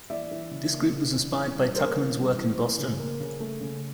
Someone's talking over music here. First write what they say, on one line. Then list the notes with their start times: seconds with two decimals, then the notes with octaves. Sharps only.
This group was inspired by Tuckerman's work in Boston.
0.10 E3 D5 E5
0.31 E3
0.51 C#3
0.71 A#3
0.92 C#3
1.14 E3
1.34 E3
1.55 G3
1.75 A#3 A#4 C5
1.96 E3
2.16 G3
2.37 E3
2.58 E3
2.78 C#3
2.99 A#3
3.20 C#3
3.40 A3
3.61 C#3